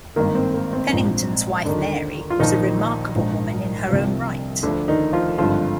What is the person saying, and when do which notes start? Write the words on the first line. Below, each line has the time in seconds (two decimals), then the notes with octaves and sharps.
Penington's wife, Mary, was a remarkable woman in her own right.
0.16 G#1 G2 D#3 A#3
0.35 C4
0.54 A#3
0.73 C4
0.91 A#1 G#2 F3
1.65 D#2 D3 D#3 D4
2.30 F4
2.39 A#1 A#2 D#3 F3 D#4
3.15 A#1 G#2 F3
3.89 C2 C3 F3
4.63 D2 D3 F3 D4
4.88 D#3 D#4
5.13 F3 F4
5.38 G#1 G2 D3 F3 F4